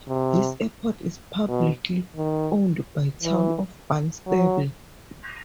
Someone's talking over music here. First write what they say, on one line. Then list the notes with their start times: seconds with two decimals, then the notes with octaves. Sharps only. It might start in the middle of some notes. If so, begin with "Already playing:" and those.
This airport is publicly owned by Town of Barnstable.
0.08 C3
1.48 B2
2.17 D#3
3.23 E3
4.27 F#3